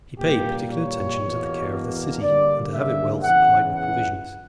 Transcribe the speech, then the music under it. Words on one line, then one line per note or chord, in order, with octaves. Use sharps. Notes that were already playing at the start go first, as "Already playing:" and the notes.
He paid particular attention to the care of the city, and to have it well supplied with provisions.
A#2 G3 A#3 G4
C#5
E2 B2 A#3
G2 D3 G3 A#3 D5
E5
E2 C#3 E3 F#5
F#5